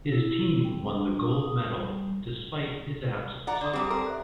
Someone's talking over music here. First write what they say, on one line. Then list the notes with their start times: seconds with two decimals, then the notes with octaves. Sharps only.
His team won the gold medal despite his absence.
0.12 E4
0.64 G5
0.87 D4
1.30 D#6
1.73 G3
3.47 D5 F#5 A#5
3.61 D3 D5 C6 D#6
3.73 F#2 G3 C4 G4 G#4
3.90 A4 A#4 A5
4.07 C5 E5